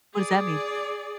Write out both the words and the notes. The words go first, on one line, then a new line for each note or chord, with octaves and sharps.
What does that mean?
G#4 D5